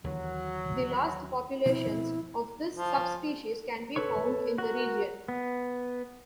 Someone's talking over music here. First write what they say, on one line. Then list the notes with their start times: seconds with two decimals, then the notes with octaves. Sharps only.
The last populations of this subspecies can be found in the region.
0.04 D#2 D3 E3 F#3
1.65 B2 F3 C4 E4
2.76 F3
3.96 A4 B4 C#5 C#6
4.58 F#4 A#4
5.28 B3